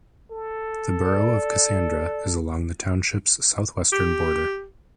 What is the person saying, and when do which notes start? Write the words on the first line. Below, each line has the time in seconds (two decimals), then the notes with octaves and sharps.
The borough of Cassandra is along the township's southwestern border.
0.32 A4
1.06 D5
3.92 G4